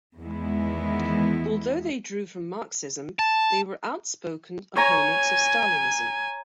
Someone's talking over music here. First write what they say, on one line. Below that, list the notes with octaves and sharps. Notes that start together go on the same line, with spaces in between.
Although they drew from Marxism, they were outspoken opponents of Stalinism.
E2 D#3 E3 G#3 B3 E4
A5
C#5 G#5 A#5 C#6